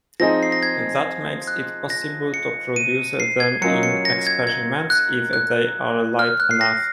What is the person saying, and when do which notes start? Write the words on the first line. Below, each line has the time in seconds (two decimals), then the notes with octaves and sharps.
That makes it possible to produce them in experiments if they are light enough.
0.20 F3 C4 D#4 G#4 D#5 A#6
0.43 C7
0.52 A#6
0.63 G#6
1.48 F#6
1.90 A#6
2.34 C#7
2.76 D#7
3.20 C7
3.40 G#6
3.62 F#3 C#4 F4 A#4 D#5 C#7
3.83 C#7
4.05 A#6
4.27 G#6
4.47 G#6
4.90 F#6
5.33 F#6
6.19 F6
6.40 F#6
6.51 C7
6.61 A#6